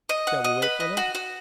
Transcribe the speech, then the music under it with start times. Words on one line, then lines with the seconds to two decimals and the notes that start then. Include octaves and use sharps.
"Shall we wait for them?"
0.09 D#5
0.27 F#5
0.44 D#5
0.62 B4
0.80 D#5
0.97 F#4
1.15 F#4